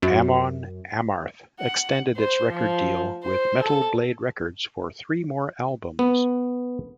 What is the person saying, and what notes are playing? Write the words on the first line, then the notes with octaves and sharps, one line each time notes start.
Amon Amarth extended its record deal with Metal Blade Records for three more albums.
F#2
F#5
C5
F3
C5
A4
B3